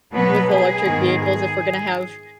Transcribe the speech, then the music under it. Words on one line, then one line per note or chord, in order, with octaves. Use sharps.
with electric vehicles if we're gonna have
B2 F#3 B3 B4
G#4
G#2 D#3 B3
G#4